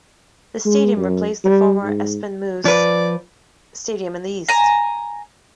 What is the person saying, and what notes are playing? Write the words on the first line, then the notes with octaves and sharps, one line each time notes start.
The stadium replaced the former Espenmoos stadium in the east.
G#3
F#2
G3
G#2
F3 B4 D5
G#5 A#5